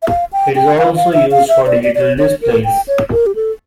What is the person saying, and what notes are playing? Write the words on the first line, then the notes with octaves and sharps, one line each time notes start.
It is also used for digital displays.
E5
F5
G5
G5
F5
F5
E5
F5
E5
D5
D5
D5
C#5
C#5
A#4
G5
C#5
A#4
G4
A4